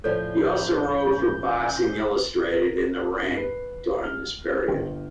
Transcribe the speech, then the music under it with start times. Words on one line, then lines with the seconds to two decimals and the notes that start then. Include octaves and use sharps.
He also wrote for "Boxing Illustrated" and "The Ring" during this period.
0.04 A2 C#3 F3 A4 C#5 D5 G6
2.50 A#4
3.20 G2
3.35 B4 C7
4.03 F6
4.68 G1 G5